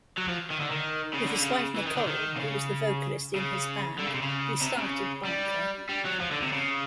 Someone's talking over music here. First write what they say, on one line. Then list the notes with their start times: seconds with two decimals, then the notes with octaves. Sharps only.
With his wife, Nicole, who was the vocalist in his band, he started Barclay.
0.17 F#3
0.28 F3
0.50 D#3
0.60 D3
0.70 D#3
1.13 C#3
1.26 D3
1.40 C#3
1.76 E3
1.86 D#3
1.96 D3
2.07 D#3
2.36 C3
2.39 C#3
3.36 C#3
3.99 D3
4.06 C#3
4.14 C3
4.22 C#3
4.61 C3
4.78 C#3
5.25 G3
5.89 G3
6.05 F#3
6.20 F3
6.31 D3
6.42 C3
6.53 C#3